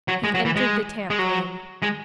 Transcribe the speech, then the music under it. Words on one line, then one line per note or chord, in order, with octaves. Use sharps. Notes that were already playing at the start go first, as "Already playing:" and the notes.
He entered the tap-room.
F#3
G#3
F#3
E3
G#3
G#3
F#3
G#3